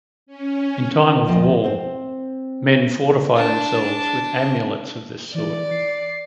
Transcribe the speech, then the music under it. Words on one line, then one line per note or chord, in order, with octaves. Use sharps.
In time of war men fortify themselves with amulets of this sort.
C#4
D2 F3 D#5 G5
C4 C5
D4 A5
E3 D5
C7